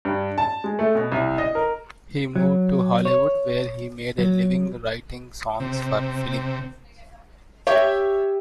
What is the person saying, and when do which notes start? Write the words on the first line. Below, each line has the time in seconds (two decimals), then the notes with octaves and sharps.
He moved to Hollywood where he made a living writing songs for film.
0.05 G2
0.38 A5
0.64 G#3
0.79 A3
0.95 B2
1.12 C2
1.38 D#5
1.55 A#4
2.36 F#3
3.05 C#5
4.18 F#3
5.60 C3
7.67 G4 C#5 E5 G5